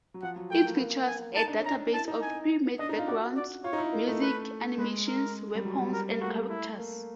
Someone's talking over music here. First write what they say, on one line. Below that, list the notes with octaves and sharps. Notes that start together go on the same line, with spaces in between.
It features a database of pre-made backgrounds, music, animations, weapons and characters.
F#3
F3 F#5
F#3
A3 G5
A#3
B3
A#3
G#5
D#4 A5
D4
C#4 A#5
D4
E4 A5
D#4
G#5
D4 D#5
D#4
F4
F#4 D5
D5
F4 C#5
D#4
E4
A#3
A3
B4
G#3 B4
A#4
G3
F#3
G3
A#4
A#3
A3 F#4
E4
A#3